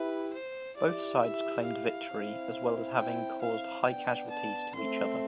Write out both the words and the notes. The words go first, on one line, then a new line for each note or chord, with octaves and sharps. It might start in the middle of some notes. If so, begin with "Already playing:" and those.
Both sides claimed victory, as well as having caused high casualties to each other.
Already playing: E4 G4 B4
C5
E4 G4 D5
E5
F5
C4 E4
G5
F5
B3 D4 G5
A5
A3 C4 C6